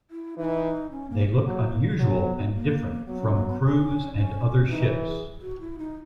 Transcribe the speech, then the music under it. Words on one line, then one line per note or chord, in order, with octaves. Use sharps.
They look unusual and different from cruise and other ships.
E4
E3 D#4
C#4
A#3
A#3
F#3
F#3 B3
A#3
F#3 B3
C#4
A#3
B3
C#4
C#4
E3 D#4
G#4
F#4
E4
D#4